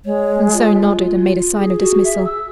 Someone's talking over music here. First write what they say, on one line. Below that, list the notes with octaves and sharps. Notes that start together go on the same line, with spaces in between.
Monceux nodded, and made a sign of dismissal.
G#3 C#5
F4
G#4
F#4
E5
E6